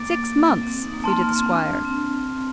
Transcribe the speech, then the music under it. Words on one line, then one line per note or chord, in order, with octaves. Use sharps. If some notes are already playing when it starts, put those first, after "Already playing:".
"Six months," pleaded the squire.
Already playing: A#3 D6 A6 D7
C4
D#4
A#3
A#3 A5 C6 F6
A#3
C4
D4
D4
C4